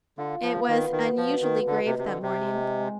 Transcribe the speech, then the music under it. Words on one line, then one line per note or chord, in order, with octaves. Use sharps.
It was unusually grave that morning.
D3 F4
F3
B3
D#3
B2 D#3
F3
B2
D#3
D3 D#4
C3
C3
D3 C4
C3
G#3
G#3